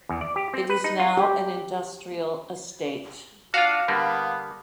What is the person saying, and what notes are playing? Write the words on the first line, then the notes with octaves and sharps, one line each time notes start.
It is now an industrial estate.
E2
D5
G4
C4
B4
D#4
F4
G4
D4 F4 F#4 F5
D3 G3 A#3 B3